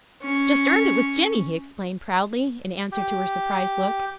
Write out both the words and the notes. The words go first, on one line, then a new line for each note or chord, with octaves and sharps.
"Just earned it with Jinny," he explained proudly, in answer to her surprised look.
C#4 C#6
G4